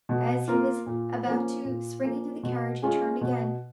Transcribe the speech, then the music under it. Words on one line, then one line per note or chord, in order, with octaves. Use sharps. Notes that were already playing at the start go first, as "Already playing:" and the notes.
As he was about to spring into the carriage, he turned again.
B2
A#3 F4 A#4
A#2
F3 A#3 C#4
A#2
F3 A#3 C#4
B2
G#3 C#4 F4 G#4
B2